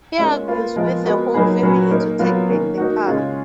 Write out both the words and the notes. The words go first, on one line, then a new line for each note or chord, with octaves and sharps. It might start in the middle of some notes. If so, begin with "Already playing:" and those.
He argues with the whole family to take back the car.
G#3 C#4 F4 A#4
A#3 F4 B4
F3 G#3 B3 F4 A#4
G#3 B3 F#4 A#4
F#3 A#3 D#4 G#4 B4
A#2 F#3 C#4 F#4 B4
A#3 D#4 A#4
F#3 B3 F4 A#4
D#3 A#3 C#4
A#3 D#4 F#4
C#3 G#3 C#4 F4 G#4